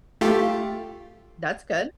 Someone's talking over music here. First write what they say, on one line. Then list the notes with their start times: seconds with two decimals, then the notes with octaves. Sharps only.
That's good.
0.21 A3 F4 G4